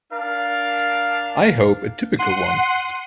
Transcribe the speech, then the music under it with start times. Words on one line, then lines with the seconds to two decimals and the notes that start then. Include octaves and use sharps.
I hope a typical one.
0.11 D4 A#4 F5
2.18 F#5 C6 C7 D#7